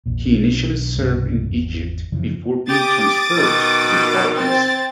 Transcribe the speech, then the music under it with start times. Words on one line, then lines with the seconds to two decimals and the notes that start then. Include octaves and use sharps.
He initially served in Egypt before being transferred to the Far East.
0.06 A#1 E2 A#2
0.26 B1 D4
0.96 C2 G2 B2
1.51 G#1 E2
2.12 F#2 C#3 E3 F3
2.69 G4 D6 D#6 A6
3.37 B2 D#3
4.35 C4 A6